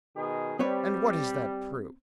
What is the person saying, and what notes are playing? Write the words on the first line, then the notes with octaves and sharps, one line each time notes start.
"And what is that proof?"
B2 D#3 G#4
G3 C4 B4 C#5